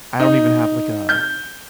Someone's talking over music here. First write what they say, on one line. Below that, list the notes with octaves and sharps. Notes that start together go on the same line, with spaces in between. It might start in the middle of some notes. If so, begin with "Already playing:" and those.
I don't even have, like, a
D#4
G6